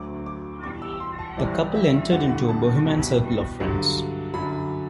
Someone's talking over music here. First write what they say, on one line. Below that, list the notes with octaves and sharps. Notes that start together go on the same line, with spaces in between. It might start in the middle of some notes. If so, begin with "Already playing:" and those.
The couple entered into a bohemian circle of friends.
Already playing: D2 D3 F#3 D6
D6
E2 B2 G3 D6
E6
C6
A5
C2 C3 E3 G3 D5
E5
E2 D3 G3 F#5
A5
C2 B2 G3
G2 D3 F#3
F#2 D3 F#3 B5